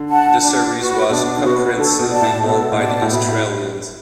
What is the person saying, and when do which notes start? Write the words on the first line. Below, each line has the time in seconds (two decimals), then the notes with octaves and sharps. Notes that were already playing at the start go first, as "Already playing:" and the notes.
The series was comprehensively won by the Australians.
Already playing: D3
0.09 F#5 A5
0.43 D4
0.77 F#4 B4
1.10 B2 D4
1.37 D3
1.44 B2 F#4 B4
1.77 D3 A4
1.99 B2
2.10 D5 A5
2.22 A2
2.44 B2 A4
2.71 A2
2.77 B2 D5 A5
3.02 A2
3.11 B2 E4
3.28 A2